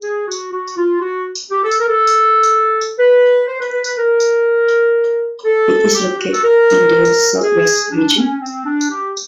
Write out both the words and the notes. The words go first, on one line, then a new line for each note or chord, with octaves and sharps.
It is located in the South West Region.
G#4
F#4
F#4
F4
F#4
G4
A4
A#4
A4
B4
C5
B4
B4
B4
A#4
A4
G4
F#4
A4
A#4
G#4
D4
C#4
C4
D4
G4